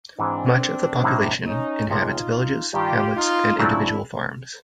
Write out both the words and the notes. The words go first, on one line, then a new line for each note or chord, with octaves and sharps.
Much of the population inhabits villages, hamlets and individual farms.
G#2 E3 G#3 C4 D4
A2 F#3 A#3 D#4
C#4 D#4
C#2 C3 F3 G#3 B3 D#4 F4
G2 D#3 G3 F4 G4
D#4 F4
C#3 F#3 A3 C4 D4 E4 F4